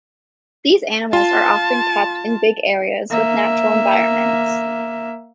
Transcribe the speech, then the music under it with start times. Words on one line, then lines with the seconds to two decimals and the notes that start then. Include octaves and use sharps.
These animals are often kept in big areas with natural environments.
1.13 F4 A5
3.11 A#3 E5